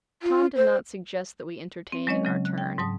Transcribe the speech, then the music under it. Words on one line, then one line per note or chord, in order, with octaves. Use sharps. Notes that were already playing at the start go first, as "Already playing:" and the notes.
Tom did not suggest that we entertain in our turn.
F4
C5
C4
F#3 G#3 C#4 C#5 D#5
C#3 F#3
F#6
G5
G#2 F#3 A5 D#6